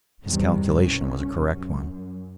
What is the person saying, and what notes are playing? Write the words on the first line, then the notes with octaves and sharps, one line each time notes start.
His calculation was a correct one.
E2 G2 C3 D#3 G3
C2 B2 C#4
F#2